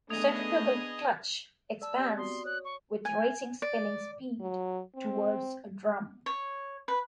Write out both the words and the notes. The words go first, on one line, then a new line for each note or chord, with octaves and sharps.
The centrifugal clutch expands with raising spinning speed towards a drum.
A3 B3 D4 G#4 D#5 D#6 G#6 F7
D5 A5 E6
B3 C4 G4
F#4 D5 C6 D#6
C#5 F#6
C#6
G#5
D5
F#3
C4
C#5
B4